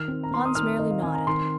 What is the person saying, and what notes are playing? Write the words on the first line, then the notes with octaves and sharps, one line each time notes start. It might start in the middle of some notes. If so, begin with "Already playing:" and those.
Hans merely nodded.
Already playing: D#3 F6
C4
A#5
C4 C6
D#6
D#3 F6
D#3 D#5
F5
C4 G#5
A#5
D#3 C6